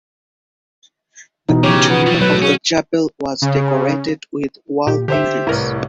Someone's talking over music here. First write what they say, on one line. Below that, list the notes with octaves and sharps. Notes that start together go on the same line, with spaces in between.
The interior of the chapel was decorated with wall paintings.
B2 E3 D#4
C#3 G4 C#5
B3
F#3 G3
F#3 A3 E4 B4
C#3 C#4
C#3
A#2 G4
D3 G4 C5 E5
C2 A2 E4 A#4 B4